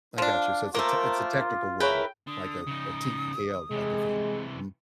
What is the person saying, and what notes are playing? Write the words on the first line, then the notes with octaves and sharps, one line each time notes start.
I got you. So it's a te it's a technical win, like a a TKO type of thing. Mhm.
F3 D4 F5
A3 A#3 F4 A#4 C5 D6
E4 G#4 A#4 B4 C#5 G5
D3 D#6
C#3 D#4
C3 E3 G#3